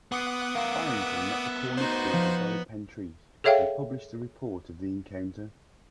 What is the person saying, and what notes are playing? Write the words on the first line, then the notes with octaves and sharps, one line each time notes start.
Barrington met the Cornish speaker Dolly Pentreath and published a report of the encounter.
B3 F#5 C6 D6 D#6 C7 C#7
B3 A#4 E5 F5 C6
D#4 F#4 C5
F3
G#4 A4 C#5 E5 F5 G5